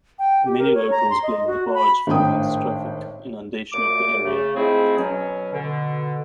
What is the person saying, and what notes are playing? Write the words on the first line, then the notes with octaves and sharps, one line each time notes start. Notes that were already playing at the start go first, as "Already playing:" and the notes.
Many locals blame the barge for the catastrophic inundation of the area.
G5
G4
A#4
C#5
A#5
C6
D#5
F#4
B5
G#1 A2 D4 G5 D#6
F#2 A#2 A3 D6
C#3 A3
F3 G#3 A3 C4 E4 G#4
B2 F#3 C#4
B2 D3